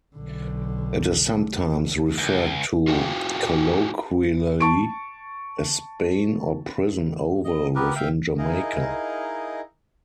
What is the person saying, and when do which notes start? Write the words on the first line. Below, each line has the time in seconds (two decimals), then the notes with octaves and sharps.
It is sometimes referred to colloquially as "Spain" or "Prison Oval" within Jamaica.
0.16 B1 D3
2.18 C#2
2.88 F4 F#4 G#4 A4 F5 G5
4.60 A5 C#6 D7
7.44 D#5
7.75 B3 G4 A#4 B4
7.96 E5 F5 G5
8.38 D#4 E4 G#4 A#4 D#5 F5